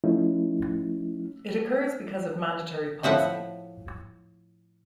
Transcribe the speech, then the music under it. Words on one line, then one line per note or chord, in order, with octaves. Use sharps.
It occurs because of mandatory policy.
F3 A3 C#4 D#4 E4
A2 F3 E5 F#5